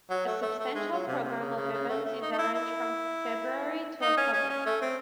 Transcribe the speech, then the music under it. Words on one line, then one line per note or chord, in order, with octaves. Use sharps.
A substantial program of events is arranged from February to October.
F#3
A3
A3
A3
G#3
F#3
C3
C3
C#3
C#3
C#3
A3
A3
D#4
D#4
E4
E4
D#4
C#4
C#4
C#4
A3
C4